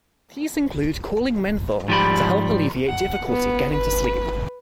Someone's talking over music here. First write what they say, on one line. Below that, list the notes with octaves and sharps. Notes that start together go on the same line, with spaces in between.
These include cooling menthol to help alleviate difficulty getting to sleep.
G#2 F3 G3 G4 B5
F#5
B3
B4